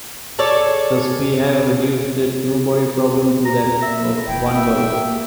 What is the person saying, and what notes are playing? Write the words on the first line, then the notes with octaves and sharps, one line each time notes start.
Thus we have reduced the two-body problem to that of one body.
G#4 A4 C#5 D5
A#5
A#3 E5
E1 E4 G5
A#3 E5